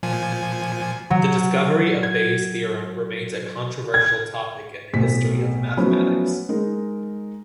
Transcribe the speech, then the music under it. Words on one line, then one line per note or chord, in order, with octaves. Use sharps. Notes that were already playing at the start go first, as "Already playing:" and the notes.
The discovery of Bayes' theorem remains a controversial topic in the history of mathematics.
A#2 F3 G#5
F#3
G#6
G#6
B1 A2 C3 B6
F3 F#3 A3 B3 C#4 E4
G#3 D#4 A#4